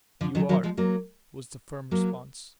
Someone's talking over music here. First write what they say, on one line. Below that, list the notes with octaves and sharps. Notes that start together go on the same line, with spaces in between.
"You are," was the firm response.
D3 F3
D#3 F#3
D#3 F#3
F3 G#3
F#3 A#3
F#3 A#3